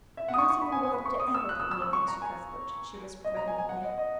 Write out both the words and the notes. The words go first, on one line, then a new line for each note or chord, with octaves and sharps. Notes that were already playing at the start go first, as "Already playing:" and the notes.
"Nothing in the world would ever put me against you, Cuthbert," she whispered vehemently.
E5
F#5
D#6
C#6
C#6
B5
G#5
G#5
B5
C#6
D#6
E6
F#6
E6
E6
E6
C#6
A#5
G#5
D#5
A#5
G#5
G#5
F#5
D#5
D#5